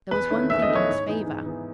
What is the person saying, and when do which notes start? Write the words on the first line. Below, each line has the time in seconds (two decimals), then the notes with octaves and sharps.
There was one thing in his favour.
0.11 E2 B4
0.30 D#3 A3 C#4 E4
0.50 E2 E5
0.62 D#5
0.68 D#3 A3 C#4 E4
0.75 C#5
0.88 G#2
1.07 E3 B3 D#4 G#4
1.27 G#2
1.46 E3 B3 D#4 G#4